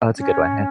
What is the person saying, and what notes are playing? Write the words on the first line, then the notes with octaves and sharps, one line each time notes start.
Oh, that's a good one, yeah.
C#4